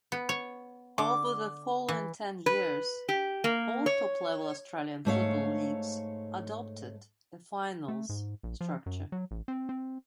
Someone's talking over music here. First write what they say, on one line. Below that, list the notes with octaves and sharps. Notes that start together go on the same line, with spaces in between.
Over the following ten years, all top-level Australian football leagues adopted a finals structure.
B3
C#5
D3 D6
E3
B4
G4
A#3
C#5
G#2 A3 C#5 F5
A3
G#2
A#1
F3
F#2
F#3
A1
C4
C4